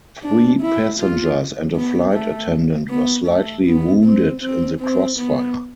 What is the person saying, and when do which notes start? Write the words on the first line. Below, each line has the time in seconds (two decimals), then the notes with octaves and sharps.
Three passengers and a flight attendant were slightly wounded in the crossfire.
0.24 D4
0.62 E4
1.00 F4
1.76 B3
2.14 A3
2.90 B3
3.28 A3
3.66 B3
4.04 C4
4.42 C4
4.80 C4
5.18 B3